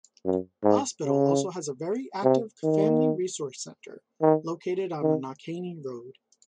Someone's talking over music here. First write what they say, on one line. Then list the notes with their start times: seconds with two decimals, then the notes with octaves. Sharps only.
Hospital also has a very active Family Resource Centre located on the Knockainey Road.
0.25 F#2
0.64 G#2
1.04 C#3
2.23 C3
2.64 D#3
4.22 D#3
5.02 D#3